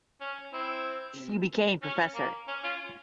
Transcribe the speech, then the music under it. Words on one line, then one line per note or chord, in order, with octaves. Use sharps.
She became professor.
C#4
C4 E4
C#4
A#3
C#4
C#4 F4